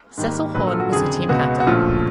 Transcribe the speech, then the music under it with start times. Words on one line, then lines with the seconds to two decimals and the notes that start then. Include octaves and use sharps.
Cecil Horne was the team captain.
0.17 G#2 D#3 G3 A#3
0.55 A#1 A#2 F#3 B4
0.67 A4
0.74 F4
0.80 F#4
0.92 F#1 F2 D3 G#4
1.29 C#2 B2 G#3 B3 F#4
1.60 F#4
1.67 A#1 A#2 F3 A3 C#4 F4